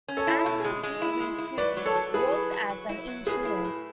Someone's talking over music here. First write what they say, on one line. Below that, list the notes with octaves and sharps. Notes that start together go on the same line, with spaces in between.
Arthur De Wint Foote worked as an engineer.
C#4
A4 C#5
E4
B2
G#3
G#3
E4
G#3
E4
F#3 B4 D5
F#3
A4 C#5
F#3
E4 G#4 B4
F#3
F#3
F#3
E4
F#3
A2 G#4 B4
E4
A2